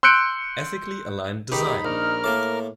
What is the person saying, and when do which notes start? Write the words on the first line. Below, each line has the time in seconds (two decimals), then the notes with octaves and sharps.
Ethically Aligned Design.
0.03 C6 E6 F#6 G6 C#7 D7
1.52 C#2 D#3 D#4 G4 B5
1.85 A#1 A#4 F6
2.24 A2 A#3 A5 D6